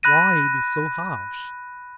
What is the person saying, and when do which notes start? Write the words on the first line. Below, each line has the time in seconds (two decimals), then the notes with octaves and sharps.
Why be so harsh?
0.03 B5 F#6 A#6 D#7